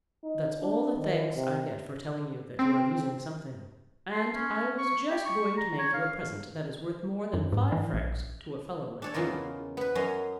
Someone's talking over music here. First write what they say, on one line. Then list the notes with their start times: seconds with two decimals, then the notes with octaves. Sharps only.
"That's all the thanks I get for telling you that you are losing something, and I was just going to make you a present that is worth more than five francs to a fellow like you."
0.23 D#4
0.62 D4
0.97 D#3
1.35 C3
2.59 C4
4.12 C6
4.35 C#4
4.78 C#6
5.10 G4
5.26 C#6
5.57 A#5
5.79 C#5
5.94 F5
7.34 F#2
7.52 G#2
7.72 E3
7.93 A#1
9.02 D4 A4 C#5
9.14 E2 C#3 F4 A#4 D#5
9.77 B3 B4
9.95 F#2 C#4 D#5 A#5 C6